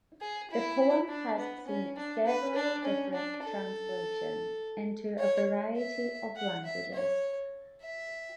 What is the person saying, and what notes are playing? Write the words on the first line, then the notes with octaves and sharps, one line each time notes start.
The poem has seen several different translations, into a variety of languages.
G#4
E4
D4
B3
C#4
D4
B4
D4
C#4
D4
A4
C#5
E5
F#5
E5
C#5
E5